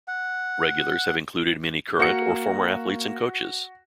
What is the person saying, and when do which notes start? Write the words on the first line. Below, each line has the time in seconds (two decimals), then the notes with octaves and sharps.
Regulars have included many current or former athletes and coaches.
0.08 F#5
2.00 A#3 F#4 C#7